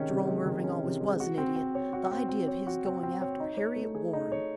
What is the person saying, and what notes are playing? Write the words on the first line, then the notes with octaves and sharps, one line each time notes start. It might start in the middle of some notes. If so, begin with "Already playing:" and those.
Jerome Irving always was an idiot. The idea of his going after Harriet Warren!
Already playing: C3 D#3 G#3 C#4
C3
G#3
D#3
C#4
C3
G#3
F#4
C4
C4
C#5
F#4
C4
C4
C#5
F#4
C4
C4
C#5
D#4
C#5
A3
G#4
D#4
C#5